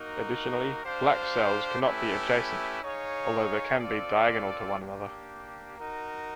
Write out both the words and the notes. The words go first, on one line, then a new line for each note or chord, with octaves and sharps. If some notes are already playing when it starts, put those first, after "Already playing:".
Additionally, black cells cannot be adjacent, although they can be diagonal to one another.
Already playing: A#3 D#4 F#4 A#4
D4 G4 C5 F5
A3 C#4 E4 G4 B4
D#4 G#4 C#5 F5
C4 F4 A4 D5
A#3 D4 G4
D#4 F#4 A#4